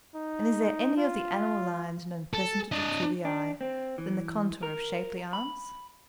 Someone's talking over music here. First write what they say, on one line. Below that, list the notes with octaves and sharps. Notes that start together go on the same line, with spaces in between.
And is there any of the animal lines known pleasanter to the eye than the contour of shapely arms?
D#4
F4
A4
D4 D#5
D4
C4
E3
A#4
B5